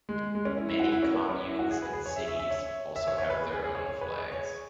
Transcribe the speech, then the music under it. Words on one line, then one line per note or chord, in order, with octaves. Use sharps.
Many communes and cities also have their own flags.
G#3
G#3
C#4
E4
E4
F#4
E4
C#4
B3
C#4
E4
F#4
G#4
B4
G#4
C#5
E5
E5
E5
C#5
E5
C#5
C#5
B4
G#4
G#4
G#4
C#5
C#5
B4
G#4
C#5